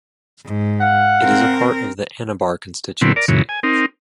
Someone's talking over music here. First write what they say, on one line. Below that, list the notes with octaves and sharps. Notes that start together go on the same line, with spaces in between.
It is a part of the Anabar Constituency.
G#2
F5 F#5
C4 A#4
A#2 D3 F#3 B3 C4 E4
A#4 D5
F#2 A#2 C#3 E3
G#5
C4 D#4 A#4